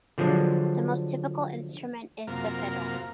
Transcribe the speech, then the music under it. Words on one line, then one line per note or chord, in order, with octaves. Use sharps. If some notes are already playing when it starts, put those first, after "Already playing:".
The most typical instrument is the fiddle.
D3 F3 F#3 G#3 D4
F#2 C3 A#3 F4 A#4 F5